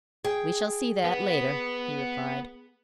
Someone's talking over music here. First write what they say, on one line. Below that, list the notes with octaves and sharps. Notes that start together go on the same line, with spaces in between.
"We shall see that, later," he replied.
G#4 G5
B3